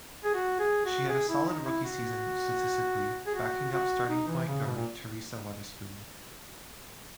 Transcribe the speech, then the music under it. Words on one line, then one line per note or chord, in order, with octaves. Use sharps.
She had a solid rookie season statistically, backing up starting point guard Teresa Weatherspoon.
G#4
F#4
G#4
F#4
G#4
E4
D#4
E4
F#4
G#4
F#4
F#4
D#4
E3
C#3
B2
A#2